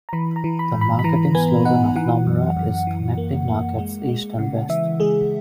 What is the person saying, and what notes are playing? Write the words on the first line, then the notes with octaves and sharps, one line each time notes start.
The marketing slogan of Nomura is "Connecting Markets East and West".
A#5
E3 B5
A#5
E3
B5
G#2
B5
B5
E3 A#5
B3 G#5
D#4 F#5
E3 F#5
F#2
F#2
E3
A#3
A#3
G#3
G#3
C#3
E3 E5
G#3 G#4